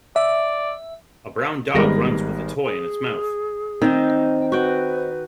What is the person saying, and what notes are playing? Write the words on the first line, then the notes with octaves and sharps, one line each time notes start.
A brown dog runs with a toy in its mouth.
D5 E5
G#1 G3 G#3 B3 A#4 A#6
G#4
D#3 C4 D#4
G5
F#4 B4 G5